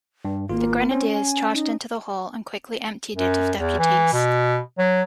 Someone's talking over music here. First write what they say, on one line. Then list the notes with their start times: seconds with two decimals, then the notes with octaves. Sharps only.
The grenadiers charged into the hall and quickly emptied it of deputies.
0.25 G2
0.50 G#1 A#3 F4
0.91 C4 C#4
1.11 G#5
1.53 D#4
3.16 F#2
3.59 E2
3.79 E3
4.13 B2
4.78 F#3